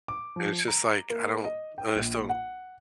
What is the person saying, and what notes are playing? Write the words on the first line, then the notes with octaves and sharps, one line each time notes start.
and it's just like, I don't I just don't
D6
F3
A#5
A#3
D#5
G5
A#1
F#5